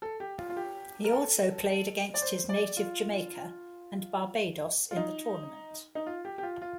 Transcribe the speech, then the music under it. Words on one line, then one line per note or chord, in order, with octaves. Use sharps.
He also played against his native Jamaica and Barbados in the tournament.
A4
G4
F4
F4
G4
A#4
A4
D5
C5
D5
F4
F4
D#4
D#4
F4
G4
G4
F4
F4